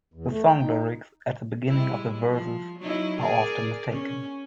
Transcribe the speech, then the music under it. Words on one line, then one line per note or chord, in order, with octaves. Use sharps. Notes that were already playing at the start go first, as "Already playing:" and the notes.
The song's lyrics at the beginning of the verses are often mistaken.
E2
A3
G5
D#4
G3 G#3 E4
F3
F#3 D#4 E4
G#4 A#4 D5
C#4